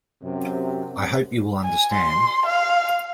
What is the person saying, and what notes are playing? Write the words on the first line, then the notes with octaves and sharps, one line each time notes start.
I hope you will understand.
F#2 C3
G#5
C6
F5